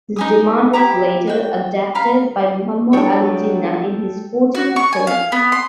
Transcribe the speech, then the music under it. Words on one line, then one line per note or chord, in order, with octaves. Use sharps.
This demand was later adapted by Muhammad Ali Jinnah in his Fourteen points.
D#4 G#4 D#6
E4 G4 A#5
F#4 G5
F5 A#5 B5
F#3 G3 B3 D4 E4 A4 C#5 G5
F#4
C#6
G#5
F5
B3
C6